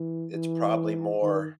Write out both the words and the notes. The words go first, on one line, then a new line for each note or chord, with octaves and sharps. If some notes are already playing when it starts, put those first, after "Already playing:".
it's probably more
Already playing: E3
E3
D#3